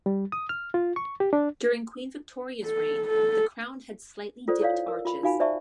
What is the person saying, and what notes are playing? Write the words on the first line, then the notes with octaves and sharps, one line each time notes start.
During Queen Victoria's reign, the crown had slightly dipped arches.
G3
D#6
F6
F4
C#6
G4
D4
A4
A4
F4 A4 C5 D5
E4 A4 C#5 D5 F5
A#4
F4 B5
D#4 F#4 F5 G#5 B5
C5 D5 E5 A5 C#6